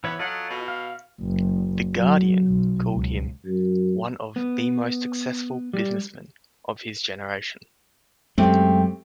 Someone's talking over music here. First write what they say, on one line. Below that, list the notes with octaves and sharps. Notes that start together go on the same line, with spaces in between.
"The Guardian" called him "one of the most successful businessmen of his generation".
E3 B3 C#5
F#3 F4 A4 D#5
B2
F5
F#1
F#3
B1
C#2
F#2
B3
G3
F#2 G#3 A3 C4 G4